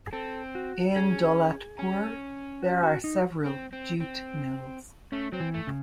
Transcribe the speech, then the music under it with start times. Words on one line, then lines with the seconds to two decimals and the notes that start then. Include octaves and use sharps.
In Daulatpur there are several jute mills.
0.07 G#4
0.13 C4 A4
0.55 F#4
0.96 C#4 G#4
1.79 C#4
2.62 F#4
2.83 F#4
3.04 D#4
3.46 C4
3.73 C4
4.00 C4
5.12 A3 C#4
5.32 F#3 C4
5.40 E3
5.54 A3
5.67 C#3